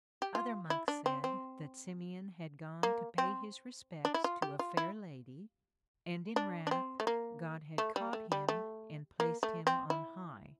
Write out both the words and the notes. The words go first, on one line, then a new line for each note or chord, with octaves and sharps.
Other monks said that Simeon had gone to pay his respects to a fair lady, and in wrath God had caught him and placed him on high.
G4
F4
E4
D4
C4
C4
A#3
C4
D4
E4
F4
G4
F4
E4
D4
D4
C4
A3
A#3
A3
G3
A3
G3
A3
A#3
A3
C4
E4